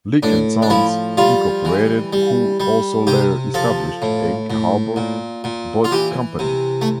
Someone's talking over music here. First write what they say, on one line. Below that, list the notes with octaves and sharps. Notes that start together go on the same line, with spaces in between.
Leek and Sons, Incorporated who also later established Egg Harbor boat company.
A2 D4
D4
F3 E4
G3 F4
E3
G3
G3
C3 G4
F3 A4
A2
A2
A#2
A#2
F4
E3 G4
C3
A3